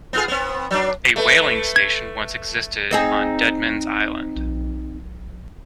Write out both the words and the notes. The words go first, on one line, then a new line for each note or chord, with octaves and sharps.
A whaling station once existed on Deadman's Island.
B3 F4 G#4
B3 C4
F#3 D4
A3 A4 B4 E5
G#6
C4 D#4 G#4